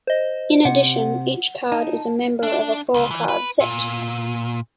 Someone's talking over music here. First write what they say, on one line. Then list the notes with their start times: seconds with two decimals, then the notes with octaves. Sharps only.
In addition, each card is a member of a four-card set.
0.07 C5 D#5
0.65 C3 F#5
1.72 D#4 A5
2.43 D4
2.94 C#2
3.11 E3
3.29 B4
3.61 A#2